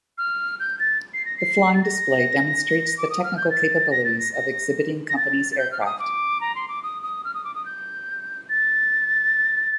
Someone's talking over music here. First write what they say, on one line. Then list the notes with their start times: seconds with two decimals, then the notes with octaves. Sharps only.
The flying display demonstrates the technical capabilities of exhibiting companies aircraft.
0.18 F6
0.60 G6
0.79 A6
1.14 C7
1.25 A#6
1.38 C7
1.74 A6
1.83 A#6
2.97 D6
3.10 D#6
3.24 F6
3.37 G6
3.50 A6
3.91 A#6
4.04 A6
4.19 A#6
4.33 A#6
5.09 A#6
5.17 A6
5.52 A6
5.58 G6
5.72 F6
5.81 D6
5.86 D#6
6.00 D6
6.41 A#5
6.55 C6
6.68 D6
6.83 D#6
7.03 D#6
7.25 F6
7.34 D#6
7.44 D6
7.55 D#6
7.66 G6
8.49 A6